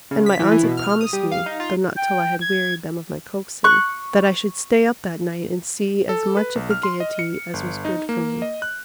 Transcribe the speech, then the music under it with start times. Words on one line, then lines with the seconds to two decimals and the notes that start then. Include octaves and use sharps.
And my aunts had promised me--though not till I had wearied them of my coaxing--that I should stay up that night and see as much of the gaiety as was good for me.
0.11 C#3
0.26 B6
0.39 E3
0.52 E3
0.63 B2
0.77 F6
1.01 D#6
1.13 G3
1.31 F5
1.46 D#4
1.60 F4
1.97 G5
2.41 G#6
3.64 C#6 F#6
6.09 A4
6.37 B4
6.55 B1
6.71 F6
6.83 C6
7.00 D#5
7.19 C#7
7.54 G1
7.85 D#4
8.09 A#3
8.42 D#5
8.62 F#6